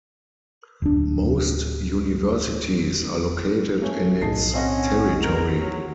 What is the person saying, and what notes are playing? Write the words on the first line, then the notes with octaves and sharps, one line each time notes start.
Most universities are located in its territory.
D1 D4
A3 C#4
B1 A2 D#4 G#4 A5 C7
C4 C#4 D#5 F#5
A#4
F#3